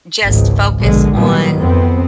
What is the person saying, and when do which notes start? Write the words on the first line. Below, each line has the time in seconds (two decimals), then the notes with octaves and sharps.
just focus on
0.25 G#1 C#2 G#2
0.77 A#1 B2 D3 G#3
1.14 A#2 D#3 F#3 G3 B3
1.56 F2 B3 C4